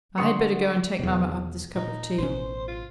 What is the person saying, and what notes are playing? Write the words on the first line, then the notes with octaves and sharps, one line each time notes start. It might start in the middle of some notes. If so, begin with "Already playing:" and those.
'I had better go and take mamma up this cup of tea.
D3 F#5 C6 C#6 D#6 C#7
E2 B2
A#2 D#4
A1 B2 C#4 C5
F4